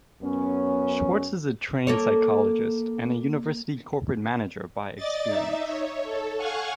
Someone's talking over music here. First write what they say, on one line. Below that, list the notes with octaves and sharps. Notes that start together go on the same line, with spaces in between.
Schwartz is a trained psychologist and a university corporate manager by experience.
F#2 B3 C#4
A#3 A4 C#5
D5 D#5 A6
D#4 E5
C#5
A4
F5 F#5 G#5 C#6